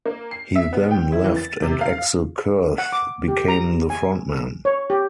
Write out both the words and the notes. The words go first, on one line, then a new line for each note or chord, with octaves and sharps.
He then left and Axel Kurth became the front man.
A#3
C7
E5
B3
G5
E4
E3
A6
C3
F5
F#5
D6
G4
A#5
G#5
C#5
G4